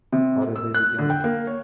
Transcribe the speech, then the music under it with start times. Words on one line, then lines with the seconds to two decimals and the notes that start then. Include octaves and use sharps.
How did they begin?
0.13 C3
0.56 E6
0.75 F#6
0.98 D3
1.10 G5
1.24 A#3
1.47 C#5